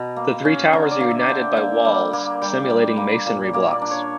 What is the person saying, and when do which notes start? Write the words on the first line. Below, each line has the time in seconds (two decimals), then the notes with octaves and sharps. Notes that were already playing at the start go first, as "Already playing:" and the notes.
The three towers are united by walls, simulating masonry blocks.
Already playing: B2 A#5
0.16 A#3
0.45 C#4
0.73 D3 A#5
0.91 D5
1.00 A#3
1.11 E5
1.29 D3 G5
1.57 A#3
1.85 G3
2.13 A#3
2.42 G3 G5
2.70 G3
2.97 A#3
3.26 A#2
3.53 A#3 D5
3.72 D5
3.82 D4
3.91 C#5